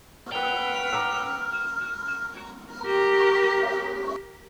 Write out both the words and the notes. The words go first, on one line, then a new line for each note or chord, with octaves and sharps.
Both Ethiopia and Dawit suffered heavily from these assaults.
B4 F#5 G5 F7
A#5 D6 E6
G4 A#4